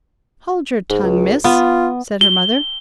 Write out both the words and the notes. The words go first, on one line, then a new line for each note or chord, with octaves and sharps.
"Hold your tongue, miss!" said her mother.
G#2
C#2
B3 F4
G7